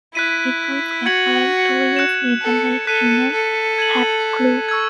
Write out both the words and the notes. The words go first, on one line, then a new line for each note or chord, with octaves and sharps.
It was acquired two years later by Kenneth "Hap" Klopp.
E4 F#6 B6 D#7
F#4 G#6 C#7 F#7
F#6 C#7 E7
A4
A4 F#6 B6 D#7
A4
G#6 D#7 F#7
C#6 E6 G#6